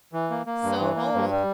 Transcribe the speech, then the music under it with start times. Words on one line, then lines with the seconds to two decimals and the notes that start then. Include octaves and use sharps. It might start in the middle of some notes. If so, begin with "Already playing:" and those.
So old!
0.13 E3
0.30 A#3
0.46 A#3
0.63 G2
0.80 E3
0.96 A#3
1.14 G2
1.31 G3